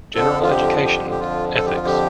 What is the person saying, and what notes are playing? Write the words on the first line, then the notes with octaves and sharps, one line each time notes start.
General Education, Ethics.
F2 D3 F3 A4
F4
G4
G4
G4
F4
A4
G4
F4
G4